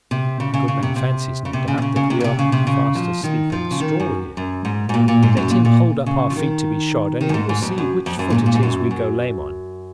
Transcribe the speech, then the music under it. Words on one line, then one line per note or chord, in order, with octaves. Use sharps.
The good man fancies, no doubt, that we are fast asleep in the straw here, but let him hold up our feet to be shod and he will see which foot it is we go lame on.
C3
C#3
C#3
C#3
C3
C3
C#3
C3
C#3
C3
C#3
C#3
C3
C#3
C3
C#3
C3
C#3
F3
D#3
F3
C#3
D#3
F#2
F#2
G#2
G#2
A#2
A#2
G#2
F#2
A#2
A#2
C#3
F3
D#3
D#3
F#2
G#2
G#2
F2
F#2
F2
F#2
A#2
G#2
A#2
G#2
F#2
F#2